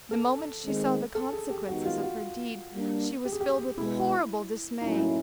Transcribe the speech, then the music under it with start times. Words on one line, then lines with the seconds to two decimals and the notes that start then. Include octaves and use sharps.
The moment she saw the consequences of her deed she was filled with horrible dismay.
0.11 A4
0.63 D#3 G#3 C4
1.15 A4
1.33 G#4
1.50 G4
1.68 D#3 G#3 B3 D#4 F#4 G4
1.86 F4
2.03 F#4
2.72 G3 A#3 D4
3.25 G4
3.32 G#4
3.40 G4
3.77 B2 G#3 B3 E4
4.82 A2 F#3 A#3 C#4 D#4 E4
4.98 D#4